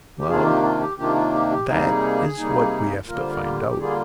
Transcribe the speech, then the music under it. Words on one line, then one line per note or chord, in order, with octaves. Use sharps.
"Well, that is what we have to find out."
G4
C3 D#3 A#3 D4 F4 G#4
G4
F4
G4
C3 D#3 A#3 D4 F4 G4
F4
G4
G4
C3 G3 A#3 D#4 G#4
C3 G3 A#3 D#4
D3 G3 A#3 F4 A#4
C5
A#4
G4
G4
D3 G3 A#3 F4 G#4